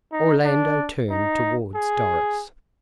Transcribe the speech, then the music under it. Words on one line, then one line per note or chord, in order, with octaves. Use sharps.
Orlando turned towards Doris.
D#4
D4
D#4
G#4